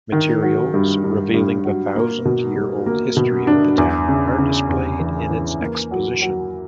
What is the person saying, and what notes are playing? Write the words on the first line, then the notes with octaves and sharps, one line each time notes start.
Materials, revealing the thousand-year old history of the town are displayed in its exposition.
D#3
F#3
G2
G2
G2
F#3
A#3
B2
G3
A#3
B2
D4
E2
C#3
C#3
E2
E3
E3
A#3
F#3
F#3